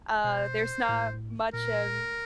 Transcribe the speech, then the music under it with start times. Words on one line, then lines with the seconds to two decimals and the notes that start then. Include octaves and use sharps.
uh, there's not much of,
0.24 B2 C5
0.89 A2
1.54 A#2 A#4